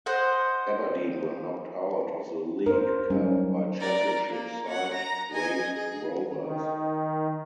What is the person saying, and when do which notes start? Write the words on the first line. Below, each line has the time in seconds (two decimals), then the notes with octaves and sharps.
Aberdeen were knocked out of the League Cup by Championship side Raith Rovers.
0.06 C5 D#5 F#5
2.66 A#4 C5
3.10 F#3 G3 C#4 D#4
3.80 A#4 D5
4.30 A#3
4.65 C#5 F#5
4.95 A#5 A#6
5.31 D#5 G#5
5.75 G#4
6.31 D#3